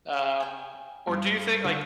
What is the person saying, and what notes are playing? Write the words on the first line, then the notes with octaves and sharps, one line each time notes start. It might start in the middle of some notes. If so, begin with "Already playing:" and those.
Um, or do you think like,
G5 G#5
G2
D3 C#6